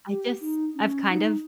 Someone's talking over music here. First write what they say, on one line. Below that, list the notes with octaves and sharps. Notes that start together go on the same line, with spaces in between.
I just I've kind of
G4
D#4
C#4
D#4